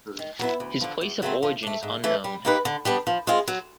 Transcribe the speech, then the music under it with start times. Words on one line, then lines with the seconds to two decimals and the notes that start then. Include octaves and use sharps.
His place of origin is unknown.
0.19 D#3
0.39 F#3 B3 E4
0.60 D2
0.81 D3 F3
1.01 E2
1.22 C#3 F#3 A3 C4
1.43 F3
1.63 A3 D4
1.83 G#2
2.04 E3 A3 C#4
2.24 G3
2.45 A#3 D#4 G4 B4
2.65 D3
2.85 G3 B3 D4
3.07 F3
3.27 G#3 C4 F4 G#4
3.48 F#3